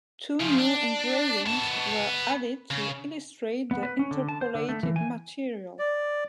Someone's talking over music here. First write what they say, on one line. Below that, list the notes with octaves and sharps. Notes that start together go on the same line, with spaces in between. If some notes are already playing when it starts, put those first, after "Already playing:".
Two new engravings were added to illustrate the interpolated material.
C#3 F3
D4
B3 A5
C#3
B3
B4
C#4
D3
A5
C5
D3
A3
E3
G#5
D5